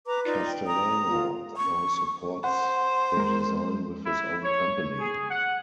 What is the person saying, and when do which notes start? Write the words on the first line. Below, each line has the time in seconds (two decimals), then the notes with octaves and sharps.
Castellano now supports the design with his own company.
0.06 B4 A#5 D6
0.24 D#4 F4 D5
0.47 G5
0.66 A#5 D#6
1.09 F4
1.57 C#6
2.44 C5 F#5
3.17 G#3 A#4
4.06 E4
4.44 C#5
4.99 G#4
5.30 F#5